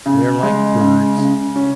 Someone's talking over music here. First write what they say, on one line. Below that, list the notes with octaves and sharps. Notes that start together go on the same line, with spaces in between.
They are like birds.
C#3
G#3
C#3
C#3
C#4